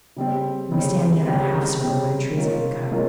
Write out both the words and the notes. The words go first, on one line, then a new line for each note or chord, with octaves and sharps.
He was standing in that half-circle where the trees have been cut.
C#3 G3 C4
C#3 G3 C4
C#3 G3 C4
C#3 G3 C4
G#3 C#4 F4 A#4
G#3 C#4 F4 A#4